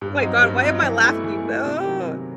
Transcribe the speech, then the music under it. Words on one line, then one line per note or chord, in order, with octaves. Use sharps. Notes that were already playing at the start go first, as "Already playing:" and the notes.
my god, why am I laughing? No,
G2
F#3 C4 D#4
G2
F#3 C4 D#4
E3
A3 E4
E3
A3 E4
C3
D#3 F#3
C3